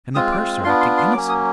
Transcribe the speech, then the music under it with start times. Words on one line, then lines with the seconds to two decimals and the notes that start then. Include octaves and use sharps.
And the purser acting innocent?
0.15 G#3 C4 F4 D#6
0.32 D6
0.64 B3 D4 F4 C6
0.81 C6
0.97 C6
1.13 F#3 A#3 C#4 D6
1.29 D#6